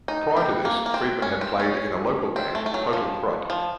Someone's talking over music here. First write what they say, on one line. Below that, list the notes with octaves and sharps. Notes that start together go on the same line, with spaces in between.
Prior to this, Friedman had played in a local band, Total Crud.
D#4
C4
A#3
A#3
C4
C#4
C4
C#4
C4
A3
A3
F#3
F3
F3